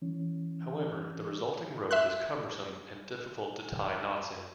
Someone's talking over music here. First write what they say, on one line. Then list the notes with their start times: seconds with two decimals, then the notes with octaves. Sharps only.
However, the resulting rope is cumbersome and difficult to tie knots in.
0.02 E3 C#4
1.91 E5 C6 F#6